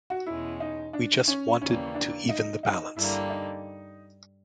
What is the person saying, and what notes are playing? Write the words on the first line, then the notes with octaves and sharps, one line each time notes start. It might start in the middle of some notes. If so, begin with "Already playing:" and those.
We just wanted to even the balance.
F#4
E2 B2 G#3 C#4 E4
D#4
D4
C#4
D#2 C#3 E3 G3 A#3 C#4
D4
D#4
D#4
G2 D3 G3 A#3 E4
D#4